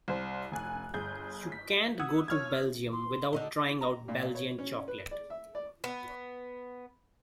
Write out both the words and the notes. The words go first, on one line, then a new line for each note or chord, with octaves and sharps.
You can't go to Belgium without trying out Belgian chocolate.
C2 C5
F1 G#5 F#6
G1 G#4 G6
B6
F#5 D#6 E6 G#6
C#5 F6 G#6
C6
D3 D#4 D#5
A#5
A#2
C#5
C#4
B4
D5
E5
D5
B3